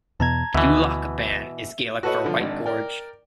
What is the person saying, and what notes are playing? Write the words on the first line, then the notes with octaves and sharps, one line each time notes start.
"Beulach Ban" is Gaelic for "white gorge".
E2 B2 A5 A#5 G#6
D2 B2 E3 E5
F#4 A4 B4 C#5 D#5 F#5
D3 F3
G#1 D4
A#4 D5 G5